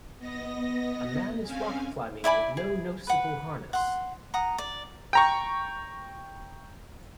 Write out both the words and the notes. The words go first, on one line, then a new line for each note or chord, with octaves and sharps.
A man is rock climbing with no noticable harness.
B3 D#5 A#6
C4 C#4 F5 G#5
E4 D5 G#5 B5
G#4
B4 F#5
F#5 C6
F#5 A#5 D#6
D5
G5 A#5 C#6